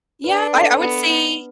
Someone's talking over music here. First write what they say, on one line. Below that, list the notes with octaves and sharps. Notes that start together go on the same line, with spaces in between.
Yeah, I I would say
B4
D4 D5
B4
A4
A4
B3 B4